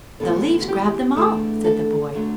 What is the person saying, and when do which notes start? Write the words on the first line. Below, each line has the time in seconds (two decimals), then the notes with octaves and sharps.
"The leaves grabbed them all," said the boy.
0.20 D2 C3 E3 B3 A4
0.62 F#4
0.68 G4
1.16 E2 D3 A3 A4
1.64 A4
2.14 D3 F#3 A3